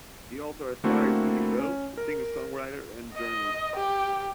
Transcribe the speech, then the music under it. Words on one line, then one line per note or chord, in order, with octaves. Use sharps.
She also aspires to be both a singer-songwriter and a journalist.
D3 A3 A#3 C4 E4 F#4
C#4
A#4
D#5
G4